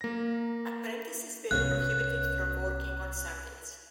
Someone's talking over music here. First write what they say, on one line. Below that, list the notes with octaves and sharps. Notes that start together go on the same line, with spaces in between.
Apprentices were prohibited from working on Sundays.
A#3 A#6
C2 B3 C#4 F5 F#6